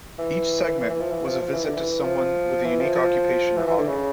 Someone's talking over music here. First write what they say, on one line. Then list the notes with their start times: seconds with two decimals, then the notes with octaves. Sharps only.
Each segment was a visit to someone with a unique occupation or hobby.
0.19 E3
0.80 E3
0.90 E3
1.01 F3
1.11 E3
1.26 F3
1.42 F3
1.53 E3
1.65 D3
1.76 E3
2.03 F3
2.64 E3
2.80 F3
2.95 F3
3.57 E3
3.67 E3
3.78 D3
3.88 C#3